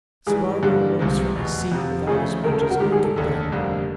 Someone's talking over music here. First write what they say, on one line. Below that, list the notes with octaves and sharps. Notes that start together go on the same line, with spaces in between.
Spargo rose from his seat without as much as a look at Breton.
G#2 E3 G3 G#4
G2 D3 G3 A#3 G4
C2 C3 F3 G#3
F1 E2 B2
F2 C3 F3
D2 C#3 F3 A3 G#4
E1 D2 C#3 A#4
A4
A#4
F#4
G#2 D#3 G3 G4
G#4
A4
F1 D#2 D3 A4
F1 F2 D3 G3 A#3